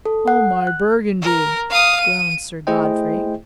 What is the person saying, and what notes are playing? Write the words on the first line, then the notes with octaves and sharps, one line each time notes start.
"Oh, my Burgundy!" groaned Sir Godfrey.
A4
F#5
F#6
A#4
F5 D#6
D#7
A3 E4 G#4 C5 D#5 G5